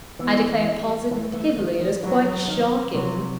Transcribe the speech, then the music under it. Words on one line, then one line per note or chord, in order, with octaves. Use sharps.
I declare positively it is quite shocking.
E3 B3
E3
G3
E3 A3
E3
D#3
D#3
E3 F#3
D#3
C3 F#3